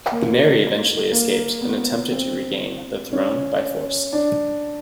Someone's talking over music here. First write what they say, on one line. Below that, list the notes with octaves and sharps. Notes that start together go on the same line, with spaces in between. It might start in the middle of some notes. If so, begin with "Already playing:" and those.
Mary eventually escaped and attempted to regain the throne by force.
A#3
A#3
B3
C4
C#4
D4